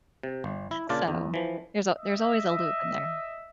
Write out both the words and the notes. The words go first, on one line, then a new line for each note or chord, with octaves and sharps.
So, there's a there's always a loop in there.
C3
G1
E4
A#2 C#3 D4 F4 D5
E2
E3 F3
D#5 E5